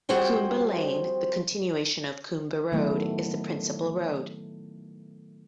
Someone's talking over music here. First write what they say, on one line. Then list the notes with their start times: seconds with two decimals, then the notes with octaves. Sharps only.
Coombe Lane, the continuation of Coombe Road, is the principal road.
0.09 F2 G3 F#4 G#4 C5 G5
2.72 D#3 F#3 A3 B3 E4